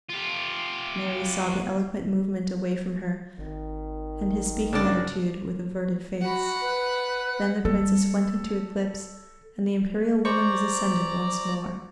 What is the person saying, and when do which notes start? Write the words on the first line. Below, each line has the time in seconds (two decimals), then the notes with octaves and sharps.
Mary saw the eloquent movement away from her and his speaking attitude, with averted face; then the princess went into eclipse, and the imperial woman was ascendant once more.
0.09 F4 G4
3.38 G#1 D#3
4.73 G2 C#3 D4 D5
6.22 F#4 F#5 B5
6.61 B4
7.65 G3 A4
10.25 C5 D5 A#5 C#6